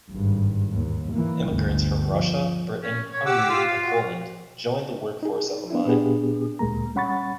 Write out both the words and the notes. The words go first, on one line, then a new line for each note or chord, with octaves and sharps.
Immigrants from Russia, Britain, Hungary and Poland joined the work force at the mine.
G#1 G2
D#2
E3 A#3
G1 D2
F3
C#4
C#5
G4 F#5 D6 E6
F4
F5
F#4
D#4 G#4
B3 D4 E4
A#2 B3 D4 G4 G#4
D2 A#2 G#3 A#3 A#5
G3 C#4 F#5 B5 C#6 A6